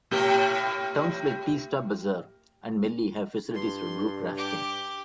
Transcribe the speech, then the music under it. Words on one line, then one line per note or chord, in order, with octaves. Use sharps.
Towns like Teesta Bazaar and Melli have facilities for group rafting.
A2 G4 A#4
G2 C6
G4 D6